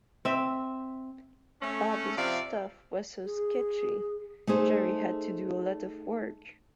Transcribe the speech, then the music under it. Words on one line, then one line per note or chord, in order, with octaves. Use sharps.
Bob's stuff was so sketchy, Jerry had to do a lot of work.
C4 E5
A3 C#4
C3 F3 D5 E5 F5
G#4
A3 D#4 G#4 C5